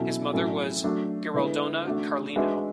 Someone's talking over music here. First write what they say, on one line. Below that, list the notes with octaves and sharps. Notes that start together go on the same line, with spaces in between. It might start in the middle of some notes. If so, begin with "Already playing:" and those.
His mother was Gueraldona Carlino.
Already playing: B2 F#3 C#4 E4 A4
A2 F#3 C#4 E4 A4
F#3 A3 D4
D3 G#3 B3 E4
A3 D4 F#4
G#3 D4 F#4 B4 E5